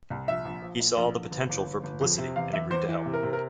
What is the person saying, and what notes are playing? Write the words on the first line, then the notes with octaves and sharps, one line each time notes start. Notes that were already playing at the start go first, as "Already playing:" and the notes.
He saw the potential for publicity and agreed to help.
C2
A#1 E5
A#1
F3
A#2
A#1
A#1
G1
G1
G1
G1
F2
C3
E2 F5
E2 E5
E2 C5
E3
C3
A#4
C3
A#4